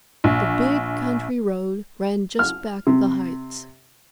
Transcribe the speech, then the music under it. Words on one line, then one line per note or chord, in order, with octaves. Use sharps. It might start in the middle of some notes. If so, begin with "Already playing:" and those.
The big country road ran just back of the heights.
A#1
F6
C3